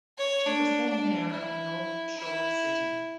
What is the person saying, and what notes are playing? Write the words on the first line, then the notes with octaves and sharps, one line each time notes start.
She was then mayor of North Shore City.
C#5
D4
D4
E4
E4